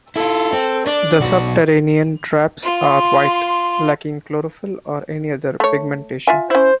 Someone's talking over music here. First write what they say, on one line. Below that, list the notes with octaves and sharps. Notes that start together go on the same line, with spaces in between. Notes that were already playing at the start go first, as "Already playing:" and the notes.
The subterranean traps are white, lacking chlorophyll or any other pigmentation.
E4 F4 A4
C4
D4 D5
B1 F#4
F4 C6
A3 C#5
F4 E5 G#5
C#4 E4 C5